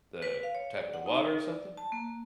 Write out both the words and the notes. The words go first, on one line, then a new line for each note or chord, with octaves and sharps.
the type of the water or something.
B4
F5
C#5
D5
F#5
D#4
D5
A5
A#3